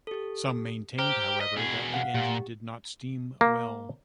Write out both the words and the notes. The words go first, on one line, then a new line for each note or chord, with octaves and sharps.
Some maintained however that the engine did not steam well.
G4 A4
G4 C5 A#5 F6
D#5 B6
B2 G#4
F5 F#5
A#2 G4
A#3